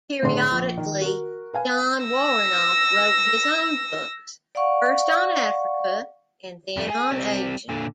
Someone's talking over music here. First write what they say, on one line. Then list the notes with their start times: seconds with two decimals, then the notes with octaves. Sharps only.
Periodically Jon Woronoff wrote his own books, first on Africa, then on Asia.
0.23 A2 D3 G#4 D5 C6
0.51 A#1
0.77 D#3
1.02 F#4 A#4
1.54 B4 F5 G#5
2.05 E6 A#6
4.55 D5 F5 F#5 C#6
6.77 F2 A3
6.89 G#4 G#5
7.11 G3 C4
7.69 A#2 D3